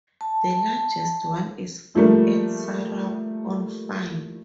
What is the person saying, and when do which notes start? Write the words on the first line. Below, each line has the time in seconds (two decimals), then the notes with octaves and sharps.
The largest one is found at Sarup on Fyn.
0.21 A5
1.95 F3 G3 A3 A#3